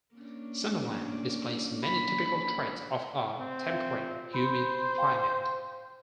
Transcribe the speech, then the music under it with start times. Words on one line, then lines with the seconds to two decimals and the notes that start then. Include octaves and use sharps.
Sunderland displays many typical traits of a temperate humid climate.
0.15 A#3 C#4 D4
1.82 B5
3.39 C4
3.71 F4 E5 F5
4.34 C5 B5
4.98 F5 G5 C6